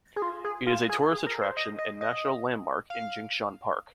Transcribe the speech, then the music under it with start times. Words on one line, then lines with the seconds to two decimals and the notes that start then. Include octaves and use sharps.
It is a tourist attraction and national landmark in Jingshan Park.
0.16 G#4
0.22 F4
0.44 G#4
0.67 F4
0.89 G#4
1.11 G#4
1.26 A#4
1.41 C5
1.57 D#5
1.79 D#5
2.01 D#5
2.90 F5